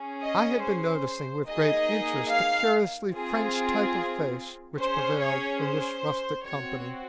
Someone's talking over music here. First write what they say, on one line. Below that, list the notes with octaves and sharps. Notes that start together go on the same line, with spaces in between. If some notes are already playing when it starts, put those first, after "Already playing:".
I had been noticing with great interest the curiously French type of face which prevailed in this rustic company.
Already playing: C#4 G#4
D#5
C5
A#3 D#4 G#4 D#5
F5
C4 F4 G#4
C#4 G#4 C5
C#5
C5
C4 F#4 C#5